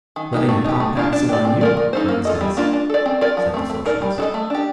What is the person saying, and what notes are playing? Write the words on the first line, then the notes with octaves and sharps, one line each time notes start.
"Letting a top hat sit on you, for instance," said the Socialist.
D#3
A#3 D#4 G4
A3
D#4 G4
A3
D4 F4
D4
G4 D5
C4
F4 A#4 D5
A#3
D#4 A4 C5
A#3
F4 A4 D#5
G3
A#3 D4 F4
D4
A4 D5
C4
F4 A#4 D5
F3
A3 C4
A3
D#4 A#4 D5
G3
D4 A4 D#5
A3
D4 G4